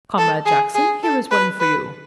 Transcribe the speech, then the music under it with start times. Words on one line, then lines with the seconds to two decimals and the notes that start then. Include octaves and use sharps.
Comrade Jackson, here is one for you.
0.18 A4
0.46 G#4
0.75 G#4
1.04 A4
1.31 B4
1.60 B4